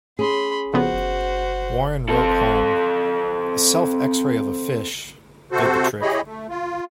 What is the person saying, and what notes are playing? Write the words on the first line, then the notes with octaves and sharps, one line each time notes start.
Warren wrote home, A self x ray of a fish ... did the trick.
C#4 G#4 B5 C6
F2 C#3 B3 F#4 C5
C4 A4
C3 F#4 A4 C5
E4 G4 G#4 C#5 D#5 B5
A3
F4